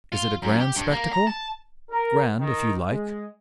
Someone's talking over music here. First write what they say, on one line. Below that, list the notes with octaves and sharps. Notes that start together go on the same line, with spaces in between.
Is it a grand spectacle? Grand, if you like.
F4
F#2
G4
G2
A#3
A#5
A5
A#4
D#3
G#3